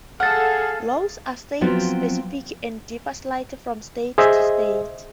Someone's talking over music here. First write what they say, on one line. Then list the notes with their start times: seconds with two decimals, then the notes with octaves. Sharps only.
Laws are state-specific and differ slightly from state to state.
0.20 G#4 A4 F5 F#5 F6 A6
1.61 F3 F#3 B3 C4 F4
4.18 G#4 C5 D#5 E5